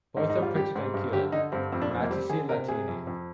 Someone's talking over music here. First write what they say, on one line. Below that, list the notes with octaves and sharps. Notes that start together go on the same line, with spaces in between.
Both are printed in Keil, "Grammatici Latini".
G#2 D#4
D#4
G3
F4
G3 G4
G#2
G2
D3 G4
D3 D#4
G2 C4
F2 C4
D4
F2 C4
A#3
G3 C4
D3 G#4
C3 A#4
C3 G#4
F2
F2